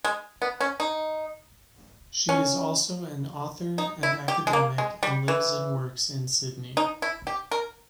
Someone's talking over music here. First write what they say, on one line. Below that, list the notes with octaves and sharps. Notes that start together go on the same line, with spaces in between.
She is also an author and academic and lives and works in Sydney.
G#3
B3
C#4
D#4
C#4
D#4
E4
G4
G#3
A#3
G#3
G3
E3
D#4
E4
G4
A#4